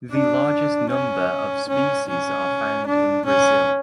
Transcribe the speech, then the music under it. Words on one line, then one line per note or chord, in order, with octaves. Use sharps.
The largest number of species are found in Brazil.
D4
C#4
C#4
C#4
D4
C#4